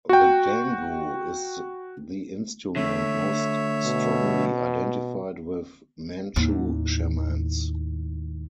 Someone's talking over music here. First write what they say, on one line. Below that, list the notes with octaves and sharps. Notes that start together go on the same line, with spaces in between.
The "dangu" is the instrument most strongly identified with Manchu shamans.
F#4 G5
D3 A3 C#5 E5
B2
D#2 A2